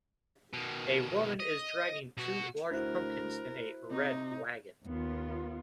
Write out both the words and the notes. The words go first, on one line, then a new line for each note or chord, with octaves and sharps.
A woman is dragging two large pumpkins in a red wagon.
B2 D#3
D#5
B2 F#4
D2 E4 F#4 A#4 C5 F#6
C3 D#4
D#2 B3 F4